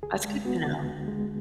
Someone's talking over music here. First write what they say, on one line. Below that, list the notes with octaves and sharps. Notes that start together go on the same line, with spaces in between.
that's good to know.
D2 G#4
G#3
B3 F#4
D3
D2
G#3